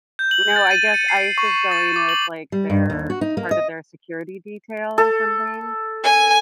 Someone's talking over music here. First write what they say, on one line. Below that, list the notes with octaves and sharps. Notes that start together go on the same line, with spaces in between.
No, I guess ICE is going with, like, their it's part of their security detail or something.
G6
F#7
A6
D#7
C#7
C7
C#6
A6
D6
F#7
G3
G2
D#2
F#4
D#4
A#3
D#5
A4
G#5